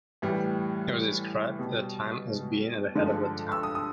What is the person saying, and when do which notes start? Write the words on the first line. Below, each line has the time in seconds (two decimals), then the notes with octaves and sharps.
It was described at the time as being at the head of that town.
0.22 A2 E3 G3
1.59 B2 G3
2.95 G2 D3 F3 G#3
3.52 E6
3.63 D#6
3.75 D#6